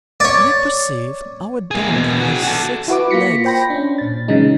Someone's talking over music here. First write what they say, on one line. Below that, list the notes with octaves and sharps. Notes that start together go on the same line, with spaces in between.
"I perceive our dog has six legs."
C#5 D5
A#3 G#4
E2 B2
F#4 G#4
F#4 A4
E4 F#4 B4 D6
A#3 F4 A#6 B6 C#7
C5 G5 B5 A#6
C#4 D4
A#2 A6
C#3 E3 F#3 G#3 D#4